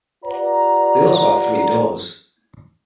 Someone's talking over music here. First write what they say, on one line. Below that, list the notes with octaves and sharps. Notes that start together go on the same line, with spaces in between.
They also had three daughters.
F4 G4 B4 D5 F#5 A#5